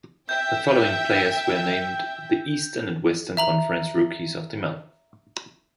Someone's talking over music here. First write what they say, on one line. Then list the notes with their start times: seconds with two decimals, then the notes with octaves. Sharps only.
The following players were named the Eastern and Western Conference Rookies of the Month.
0.29 E5 G5 G6
3.37 E5 A#5 F#7